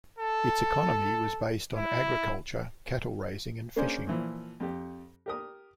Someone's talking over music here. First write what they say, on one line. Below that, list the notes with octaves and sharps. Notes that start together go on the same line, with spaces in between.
Its economy was based on agriculture, cattle raising, and fishing.
A4
E4
A#3 C#4 D4 G#4 C5
A#2 E3 F3
F2 G4
G4 A#4 D#6